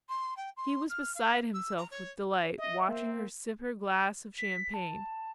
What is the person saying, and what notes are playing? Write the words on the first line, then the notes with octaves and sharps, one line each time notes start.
He was beside himself with delight, watching her sip her glass of champagne.
C6
G5
C6
F6
F5
E6
A#5
C#5
D#5 E5
A#3 C4
B6
A5